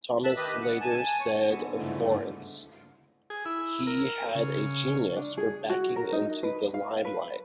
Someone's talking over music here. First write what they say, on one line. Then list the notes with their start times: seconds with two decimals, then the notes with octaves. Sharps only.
Thomas later said of Lawrence, He had a genius for backing into the limelight.
0.24 E5 A5 F#6
0.36 D#3 G4 B4 D#5
0.62 F#5
0.80 G#5 A5
1.19 C#5
1.50 G#2 D3 B3 F#4
1.79 G2 C#3 A3 E4 F4 E5
3.30 G#4
3.45 E4
3.87 A#4
4.35 C#3
5.16 D4
5.37 G#4
5.69 F#4
5.96 A#4
6.12 D#4
6.43 B4
6.74 F5
7.05 B4